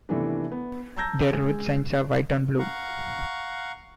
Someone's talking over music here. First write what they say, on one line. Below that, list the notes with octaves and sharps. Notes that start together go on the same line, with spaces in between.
Their road signs are white on blue.
C3 D#3 E3 A3 B3 D4
B3
A5 A#5 E6 G6 G#6 A#6
G#3
F5 F#5 A#5 C#6